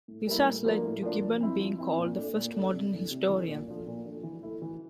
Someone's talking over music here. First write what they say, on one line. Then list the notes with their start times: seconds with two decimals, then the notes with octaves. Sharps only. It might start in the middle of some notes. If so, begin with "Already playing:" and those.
This has led to Gibbon being called the first "modern historian".
0.08 A2
0.27 G3 A#3 E4
0.45 A2
0.64 F3 A#3 D4
0.83 A2
1.03 F3 A#3 D4
1.22 F3
1.41 C4 E4
1.59 F3
1.78 C4 E4
1.98 A#2
2.15 A3 D4
2.35 A#2
2.53 A3 D4
2.73 C3
2.92 E3 A3 D4
3.10 C3
3.29 E3 A3 D4
3.48 A#2
3.67 F3 A3 D4
3.86 A#2
4.05 F3 A3 D4
4.23 E3
4.43 A3 E4
4.62 E3